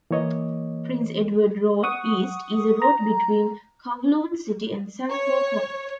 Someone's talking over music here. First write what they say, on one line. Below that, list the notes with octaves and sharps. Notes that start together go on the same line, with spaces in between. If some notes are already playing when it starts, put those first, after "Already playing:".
Prince Edward Road East is a road between Kowloon City and San Po Kong.
E3 A#3 C#5 D#5
F#5 C#6 D#6
A#5
C#5